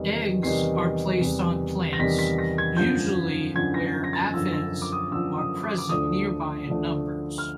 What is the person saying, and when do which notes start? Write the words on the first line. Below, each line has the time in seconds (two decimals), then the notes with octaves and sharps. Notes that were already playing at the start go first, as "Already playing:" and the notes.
Eggs are placed on plants, usually where aphids are present nearby in numbers.
Already playing: E2 C3 D#3 G3
0.43 E2 C3 D#3 G3 C7
1.21 E2 C3 D#3 G3
1.93 A#6
1.99 E2 C3 D#3 G3 B6
2.19 B6
2.39 A#6
2.58 G#6
2.77 F#2 D3 F3 G6
3.55 F#2 D3 F3 G#6
3.74 A#6
4.04 A#6
4.13 A6
4.34 F#2 D3 F3 E6
4.53 E6
4.82 D6
4.92 D#6
5.11 F#2 D3 F3 E6
5.38 D#6
5.64 D6
5.78 D6
5.89 D2 D3 F3 A3 D4 D#6
6.68 D2 D3 F3 A3 D4
7.38 F6